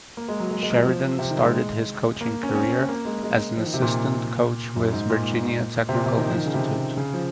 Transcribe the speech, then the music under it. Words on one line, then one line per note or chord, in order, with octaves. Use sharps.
Sheridan started his coaching career as an assistant coach with Virginia Technical Institute.
A#3
G#3
F#3
G#3
G#3
F#3
F3
C3
D#3
G#3
A#3
C#4
C4
C#4
C4
A#3
G#3
G#3
F3
D#3
C3
A#2
F#2
G#2
A#2
C3
A#2
C3
D#3
F3
D#3
C#3
C3
C#3
F3